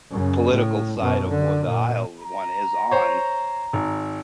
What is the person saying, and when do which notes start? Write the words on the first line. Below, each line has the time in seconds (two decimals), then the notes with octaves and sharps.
political side of what the aisle o one is on,
0.11 F#2 C#3
0.50 A2
0.99 F#2 B2
1.29 D3
1.66 A#2
2.20 A#5
2.91 C5 C#5
3.73 G#1